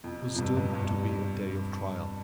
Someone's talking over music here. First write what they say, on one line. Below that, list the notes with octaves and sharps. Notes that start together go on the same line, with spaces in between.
It was doomed to be a day of trial.
F2
C3
F2
G2
G2
G2